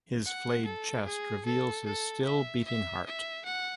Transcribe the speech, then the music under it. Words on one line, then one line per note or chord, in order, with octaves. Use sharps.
His flayed chest reveals his still beating heart.
F#5
A4
G#4
A4
A4
E5
E5
E5
F#5